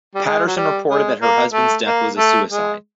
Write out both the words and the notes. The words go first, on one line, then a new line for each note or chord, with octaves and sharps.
Patterson reported that her husband's death was a suicide.
G3
G#3
F#3
G3
G#3
A#3
A3
A#3
A3
G#3